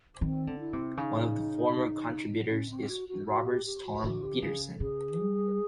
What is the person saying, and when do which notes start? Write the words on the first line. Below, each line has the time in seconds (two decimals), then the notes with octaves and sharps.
One of the former contributors is Robert Storm Petersen.
0.21 D#3 C4
0.47 D3
0.60 E4
0.73 C3
0.97 C#3 D#4
2.51 C#4
2.70 C4
2.89 F#4
3.09 F#4
3.28 F#4
3.46 G4
3.66 G4
3.85 F#4
4.03 D3 F#4
4.23 G4
4.42 C#3 G#4
4.80 C#3 G#4
5.19 G3